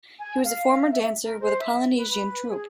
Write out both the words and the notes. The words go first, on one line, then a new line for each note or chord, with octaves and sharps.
He was a former dancer with a Polynesian troupe.
G#5
F5
E5
A#4
C5
E5
B4
G#4